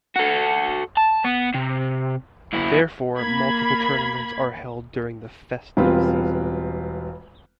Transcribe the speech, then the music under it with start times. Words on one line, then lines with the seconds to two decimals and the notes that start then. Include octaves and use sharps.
Therefore, multiple tournaments are held during the festive season.
0.16 F#4 A4
0.97 A5
1.24 B3
1.54 C3
2.54 F#2 E4
3.17 A#3 B5 G#6
5.77 E1 G3 C4 F4 B4